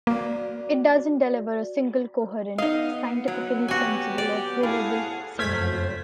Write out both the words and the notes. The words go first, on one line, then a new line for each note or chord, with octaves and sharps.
It doesn't deliver a single, coherent, scientifically sensible or provable scenario.
A#3 F#4 D5
B3 D#4 D#5 F5
F#3
F#4 G4 G#5
D5
A2 G#4 F5 F#5
F#1 F2 A3 C5 F6 G#6 B6